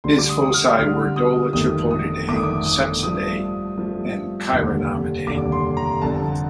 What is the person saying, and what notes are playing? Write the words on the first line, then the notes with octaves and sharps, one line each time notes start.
His foci were Dolichopodidae, Sepsidae and Chironomidae.
D2 D3 G3 C6
D6
D#6
D#6
F6
D#6
D2 D3 G3 F6
D#6
G1 F2 D#3 A3 D#6
D#6
G1 F2 D#3 A3 D6
D#6
D6
D#6
G2 F3 A3 D#6
G2 F3 A3
F1 D#2 D3 G3
F1 D#2 D3 G3 D6
C6
A#5
G1 F2 D3 A5